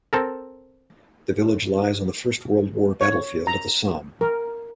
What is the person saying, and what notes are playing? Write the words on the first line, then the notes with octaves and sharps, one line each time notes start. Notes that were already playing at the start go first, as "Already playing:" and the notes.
The village lies on the First World War battlefield of the Somme.
C4 A4 A#4
C#5
A#5
A#4